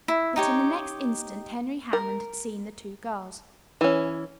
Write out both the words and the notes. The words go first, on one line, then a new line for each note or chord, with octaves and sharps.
But in the next instant Henry Hammond had seen the two girls.
E4
D#4 G4 C#5
A#4
E3 C#4